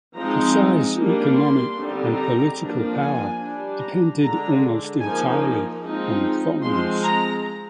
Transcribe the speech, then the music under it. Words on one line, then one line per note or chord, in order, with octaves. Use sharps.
Pasai's economic and political power depended almost entirely on foreigners.
F3 G#3 C4 D#4 A#5
G3 A#3 D4
C6
D3 G3 C4 D#4
A#5
F3 A#3 D4
G#5
G3 D4
A#5
D3 G#3 D4 A#5
F3 A#3 D#4 G#5
F3 G#3 C4 D#4
F3 G#3 C4 C6
A#5